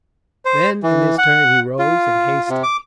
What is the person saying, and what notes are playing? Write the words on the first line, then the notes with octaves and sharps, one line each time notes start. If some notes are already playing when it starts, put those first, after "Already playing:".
Then in his turn he rose, and hastily.
C5
E3
F#5
F4
C3
D6